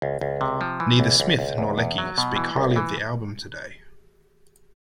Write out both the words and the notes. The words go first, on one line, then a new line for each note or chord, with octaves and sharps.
Neither Smith nor Leckie speak highly of the album today.
C#2
C#2
C3
F3
E3
C#2
C#2
C#2
E2
E2
F#3
B2
E3
C2
E3